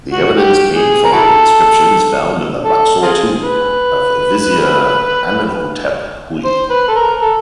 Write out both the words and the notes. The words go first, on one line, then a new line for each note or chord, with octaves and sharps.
The evidence came from the inscriptions found in the Luxor tomb of Vizier Amenhotep-Huy.
F#4
G4
G#4
A#4
E4 F#4 A4
A4
C4 F4 G#4
B4
C5
B4
A4
A#4
A4